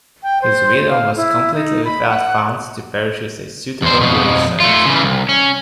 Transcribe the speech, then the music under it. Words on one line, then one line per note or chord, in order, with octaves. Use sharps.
His widow was completely without funds to purchase a suitable gravesite.
G5
C5
F5
E4
D#4
B5
F#5
E2 C5
F2 B2
A3 F4
C#3 E3
C2
C#4